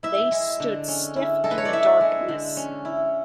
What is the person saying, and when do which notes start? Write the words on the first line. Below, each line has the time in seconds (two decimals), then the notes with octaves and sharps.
They stood stiff in the darkness.
0.03 E4 E5
0.31 G#3
0.60 D3
0.88 C#4
1.16 E4
1.44 G#3 A4
1.51 B4
1.58 C#5
1.65 D5
1.73 E4 E5
2.01 G#3
2.28 D3
2.57 C#4
2.85 E4